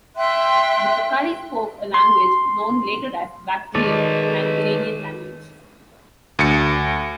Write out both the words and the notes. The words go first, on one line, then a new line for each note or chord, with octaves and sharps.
The Tokhari spoke a language known later as Bactrian - an Iranian language.
E5 G5 C6 F#6
C6
D#3 G#3 A4 B4 C#5 D5
D2 C#7